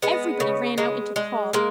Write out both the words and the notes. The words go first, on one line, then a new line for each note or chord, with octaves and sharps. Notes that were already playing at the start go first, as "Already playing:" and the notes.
Everybody ran out into the hall.
G#3 B3
C#3
G#3
G#3
G#3 A#3